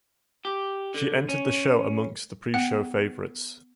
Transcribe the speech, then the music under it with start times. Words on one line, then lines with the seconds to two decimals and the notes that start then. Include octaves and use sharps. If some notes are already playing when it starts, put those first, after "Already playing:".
She entered the show amongst the pre show favourites.
0.45 G4
0.94 D3
1.29 C#4
2.54 B3 F#5